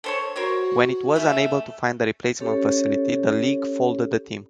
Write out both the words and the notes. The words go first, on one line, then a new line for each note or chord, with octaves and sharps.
When it was unable to find a replacement facility, the league folded the team.
A4 C5 C#5
F#4 A#4 C5 C#5
A3 C#4 E5
C#4 G4 A4 C#5